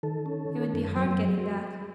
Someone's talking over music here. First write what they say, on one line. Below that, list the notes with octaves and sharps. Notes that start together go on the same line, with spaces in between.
It would be hard getting back.
D#3 A4
C#4
D#3
F#2
F#3 C5